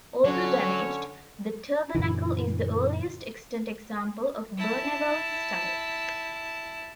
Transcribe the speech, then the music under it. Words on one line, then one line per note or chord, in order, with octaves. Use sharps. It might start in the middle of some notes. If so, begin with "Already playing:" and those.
Although damaged, the tabernacle is the earliest extant example of Berneval's style.
D3 F#3 C#4 C#5
F#2 A#2 D3 E3
E4 A5